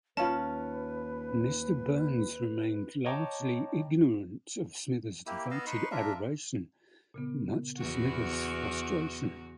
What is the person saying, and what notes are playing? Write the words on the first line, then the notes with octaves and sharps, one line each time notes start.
Mr. Burns remained largely ignorant of Smithers' devoted adoration, much to Smithers' frustration.
D#2 C#4 F4 B4 A5 B5
C#5 D#5 G5 A5 A#5 D6
A#3 E4 G4
B3 D#5 F5 E6
D#4 B4 C6 C#6
D4 F4 A#4 E5
A#2 C#3 B3
E2 C#3 F#4